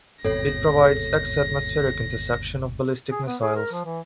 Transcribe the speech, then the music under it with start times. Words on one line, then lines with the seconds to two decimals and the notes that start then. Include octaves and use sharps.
It provides exo-atmospheric interception of ballistic missiles.
0.25 G1 D#2 G#2 B2 C4 A4 C#5 A#6
3.11 G#4
3.27 B3
3.42 G#4
3.56 A#4
3.72 F3
3.85 E3